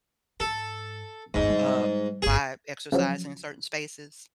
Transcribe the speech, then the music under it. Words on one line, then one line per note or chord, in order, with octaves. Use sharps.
um, by exercising in certain spaces?
G#2 A4
G1 D#2 G#2
G3 D#4
G1 C#2 G#4
C#3 F3 F#3